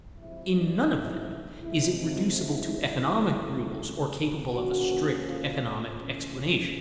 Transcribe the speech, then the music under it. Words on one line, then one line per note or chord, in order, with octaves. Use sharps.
In none of them is it reducible to economic rules or capable of a strict economic explanation.
C3 F3 G#3 E4
D4
E4
F2 C3 F3 G#3 E4
D#4
E4
F#2 C#3 F3 A3 C#4
D3 F3 A#3 C#4 F#4
F4
C#3 E3 A3 C#4